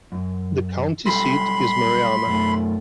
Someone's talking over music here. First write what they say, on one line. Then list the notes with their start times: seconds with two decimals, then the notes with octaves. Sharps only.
The county seat is Marianna.
0.12 F#2
1.06 F#3 G3 A4 B5 C6
2.26 F#2 A3